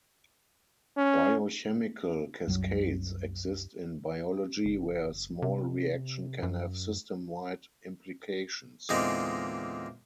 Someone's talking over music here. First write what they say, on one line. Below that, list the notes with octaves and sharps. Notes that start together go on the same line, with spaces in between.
Biochemical cascades exist in biology, where a small reaction can have system-wide implications.
C#4
C2 F#2 F#3
F#1
C3
F#2
E2 A#2 D3 G#3 C4 D#4